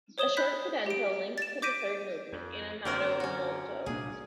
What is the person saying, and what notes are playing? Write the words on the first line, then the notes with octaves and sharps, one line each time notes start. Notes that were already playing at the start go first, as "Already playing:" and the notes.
A short cadenza links to the third movement, "Animato molto".
C5 C#5 D#6 E7 G7
B5 F#6 G6 B6
G4 D7
A6 E7
D6 G6 A#6 B6 D7 D#7
F2
F#2 D3 A#3 C4 A#4
C#4 F#4
C2 A#2 D4 G#4